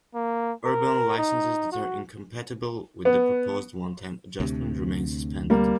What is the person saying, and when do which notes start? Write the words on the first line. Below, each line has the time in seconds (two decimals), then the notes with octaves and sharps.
Urban licenses that are incompatible with the proposed one-time adjustment remain suspended.
0.15 A#3
0.65 A#4
1.18 D#4
1.72 F#4
3.05 B3
4.40 D2 C3
5.50 G3 A#3